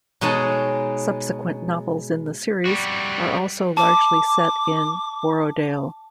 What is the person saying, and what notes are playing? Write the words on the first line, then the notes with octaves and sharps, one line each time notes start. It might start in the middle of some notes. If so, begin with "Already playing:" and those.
Subsequent novels in the series are also largely set in Borrowdale.
B2 G#3 D#4 C#5 A5
G3 F#4
A5 D6